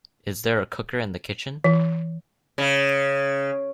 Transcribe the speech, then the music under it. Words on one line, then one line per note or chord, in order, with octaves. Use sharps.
Is there a cooker in the kitchen?
E3
C#3